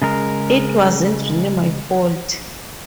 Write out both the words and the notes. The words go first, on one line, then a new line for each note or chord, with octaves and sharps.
It wasn't really my fault.
C#3 G#3 A#4